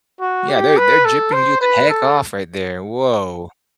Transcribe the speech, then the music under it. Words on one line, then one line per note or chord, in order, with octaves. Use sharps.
Yeah. They're they're gypping you the heck off right there. Whoa.
F#4
G4
B4
A4
C5
B4
A4